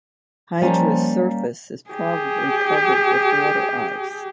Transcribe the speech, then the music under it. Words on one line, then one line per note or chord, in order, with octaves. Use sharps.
Hydra's surface is probably covered with water ice.
F3 G3 A#3 C#4 G4
G4 G#4